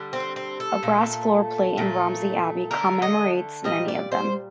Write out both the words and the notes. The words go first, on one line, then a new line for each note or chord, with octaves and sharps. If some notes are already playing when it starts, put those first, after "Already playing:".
A brass floor plate in Romsey Abbey commemorates many of them.
Already playing: D3 G3
C4
C4
A4
A#2 A3
A#2 A3
D3 A3 A#4
D#5
A#2 G3 D#5
D5
C5